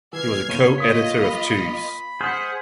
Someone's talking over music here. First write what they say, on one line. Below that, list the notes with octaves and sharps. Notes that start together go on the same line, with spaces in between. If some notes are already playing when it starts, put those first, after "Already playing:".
He was co-editor of Jews.
E3 E6 F6 G#6 C7
F#1 C#5 D#7 G7
A#3 F4 D#5 D#6 B6
B5
G#4 C5 F#5 F6 B6